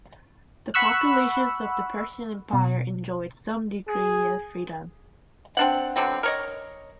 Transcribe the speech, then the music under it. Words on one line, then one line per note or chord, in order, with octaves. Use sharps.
The populations of the Persian Empire enjoyed some degree of freedom.
F#5 B5 C#6 E6 F#6
B2
G#4
C4 D4 F#5
B2 D3 F#3 C4
A#4 C#5 D#5